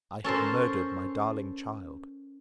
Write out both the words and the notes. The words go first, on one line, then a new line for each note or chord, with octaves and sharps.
I have murdered my darling child!'
C#4 A4 A#4 C5